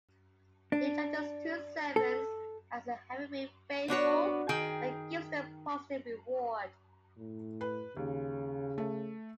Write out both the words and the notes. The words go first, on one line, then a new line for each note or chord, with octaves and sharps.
He judges two servants as having been "faithful" and gives them a positive reward.
D4
A4
B3 D4 F#4 C#5
D#3 G#4 G5
A2
B4
D#2 C#3
A3